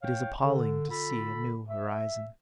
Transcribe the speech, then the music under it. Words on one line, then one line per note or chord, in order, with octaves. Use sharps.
It is appalling to see a new horizon.
A2 C#5 F5 G5
D3
D3 F4 A4 B5
E5